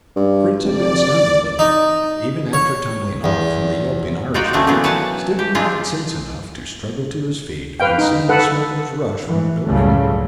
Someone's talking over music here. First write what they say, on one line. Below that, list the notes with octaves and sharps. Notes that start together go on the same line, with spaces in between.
Fritz had been stunned a little, even after tumbling off from the yelping Irishman; still, he had sense enough to struggle to his feet on seeing the smugglers rush from the building.
G2
F1 D5
D#4
C#5
E2
D#4 F4 F#4 D5 G5
D3 F#3 A3 A#3 C4 C#4
D3 E3 F#3 A#3 B3
B4 C#5 G#5 A5
G4
G#3 C4 D4 D#4 F4
B4 F5 G5
D#4
A4 B4 F#5
E3
C#2 F#2 A2 C#3 G3 A3